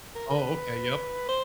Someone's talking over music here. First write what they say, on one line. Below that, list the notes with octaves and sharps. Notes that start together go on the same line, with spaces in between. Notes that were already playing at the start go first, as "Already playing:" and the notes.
Oh, okay, yep.
A#4
A#4
B4
C5